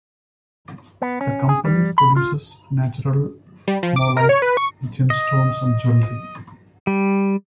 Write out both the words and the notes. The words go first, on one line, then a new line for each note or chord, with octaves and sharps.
The company produces natural ammolite gemstones and jewelry.
B3
C#4
G#4
G3
B5
F4
G3
F3
D6
A#4
C#5
B4
C#6
D#5
G3